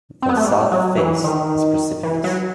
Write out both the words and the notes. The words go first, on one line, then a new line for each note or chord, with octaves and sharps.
The South Face is precipitous.
C4
B3
A3
G3
F#3
E3
D#3
E3
F#3